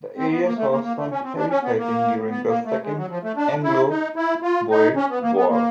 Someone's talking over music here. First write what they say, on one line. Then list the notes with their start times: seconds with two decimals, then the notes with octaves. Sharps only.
The area saw some heavy fighting during the Second Anglo-Boer War.
0.17 C4
0.31 B3
0.44 A#3
0.57 A3
0.70 A#3
0.83 A#3
0.97 A3
1.11 C#4
1.24 C4
1.36 D4
1.50 C#4
1.63 B3
1.77 A#3
2.29 B3
2.47 A#3
2.65 A3
2.83 G#3
2.97 F#3
3.09 F3
3.23 A3
3.36 D4
3.63 E4
3.90 D#4
4.16 E4
4.42 F4
4.70 D#4
4.96 C#4
5.10 B3
5.22 A#3
5.36 B3
5.49 A#3